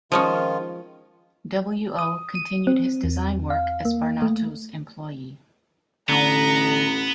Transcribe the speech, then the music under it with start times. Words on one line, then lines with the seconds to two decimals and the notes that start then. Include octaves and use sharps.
W. O. continued his design work as Barnato's employee.
0.12 D#3 F3 G#3 C#4 F4
1.99 D#6
2.35 D#7
2.67 C4
3.04 E2
3.50 F5
3.85 A#3
4.22 A3
6.09 A1 D3 B3 A#5